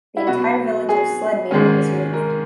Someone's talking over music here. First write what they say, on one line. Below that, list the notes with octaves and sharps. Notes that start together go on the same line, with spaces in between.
The entire village of Sledmere was moved.
E4
B2 F#3 B3 F#4
G#4
G#2 D#3 G#3 C#4
A#4